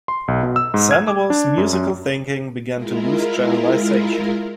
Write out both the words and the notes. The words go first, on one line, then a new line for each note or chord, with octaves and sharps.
Sandoval's musical thinking began to lose channelization.
C6
B1
B2
E6
G#2
G#6
D6
D4
F#2
F#2
G#3 E4 F4 A#4